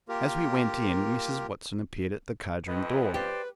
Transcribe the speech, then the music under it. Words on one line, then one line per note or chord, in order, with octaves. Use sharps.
As we went in Mrs. Watson appeared at the card-room door.
A#3 F4 G4 A#4
F2 B4 D#5
G4 B4 C5 D5